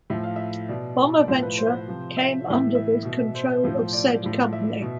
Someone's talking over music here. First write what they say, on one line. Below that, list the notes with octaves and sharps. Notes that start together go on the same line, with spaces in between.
Bonaventure came under the control of said company.
A2 F3 E5
F5
E5
B2 D5
D5
A2 F3 C5
B4
C5
C3 F3
E5
A2 E3
E5
B2
C5
A2 F3
D5
A2 F3
E5
B2